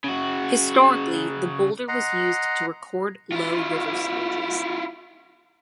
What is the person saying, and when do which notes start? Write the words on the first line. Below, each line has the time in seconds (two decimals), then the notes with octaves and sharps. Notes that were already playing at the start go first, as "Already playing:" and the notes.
Historically, the boulder was used to record low river stages.
0.04 C#3 F#4
1.88 D#5 F#5 A#5 C6
3.32 E4 F4